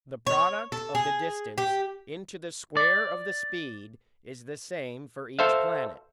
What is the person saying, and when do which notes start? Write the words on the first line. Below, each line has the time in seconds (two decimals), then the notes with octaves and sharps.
The product of the distance into the square of the speed is the same for each planet.
0.27 C#5
0.72 A4
0.95 G#4
1.58 G4
2.77 D5
5.39 A4 C5 E5 F5